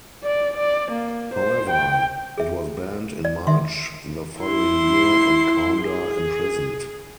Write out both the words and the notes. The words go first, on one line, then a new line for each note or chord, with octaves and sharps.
However, it was banned in March the following year and Kaunda imprisoned.
D5
D5
A#3
C5
G5
G#4 E5
D5
D#3 E5 C6
E4 C6
G#4